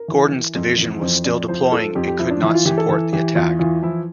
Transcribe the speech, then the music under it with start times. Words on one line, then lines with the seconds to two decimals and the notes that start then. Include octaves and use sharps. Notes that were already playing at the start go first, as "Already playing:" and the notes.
Gordon's division was still deploying and could not support the attack.
Already playing: A#4
0.08 E3
0.31 E3
0.55 F2
0.78 E3
1.01 F2 C5
1.25 F2 D5
1.48 F3 C5
1.72 F3 A4
1.95 F2 G4
2.08 G4
2.19 F3 E4
2.31 D4
2.42 E3 E4
2.54 F4
2.65 E3 G4
2.78 A4
2.89 E3 A4
3.13 E3 G4
3.36 E2 F4
3.59 E3 F4
3.82 F3 E4